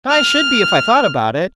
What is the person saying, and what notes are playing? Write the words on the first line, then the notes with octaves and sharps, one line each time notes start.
"I should be if I thought about it."
F6